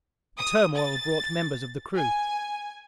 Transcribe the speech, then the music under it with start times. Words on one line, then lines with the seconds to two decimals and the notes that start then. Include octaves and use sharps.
The turmoil brought members of the crew.
0.39 D#6
0.76 A6
1.97 G#5